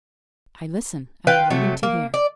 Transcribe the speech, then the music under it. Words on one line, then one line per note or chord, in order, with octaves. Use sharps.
"I listen--I am waiting to hear."
F4 B4 F5 G5
C3 F#3 A3
A#3
D5